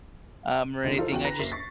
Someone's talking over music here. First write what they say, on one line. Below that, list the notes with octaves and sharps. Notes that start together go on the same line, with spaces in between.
um, or anything, I just
C#2 B2 D3
D#3 E3 D#4 F4 A4 C5
E2 F#4 G5 F#7
B4 A#5 A#6
F#1 A#3 B6 C7
C#6 A6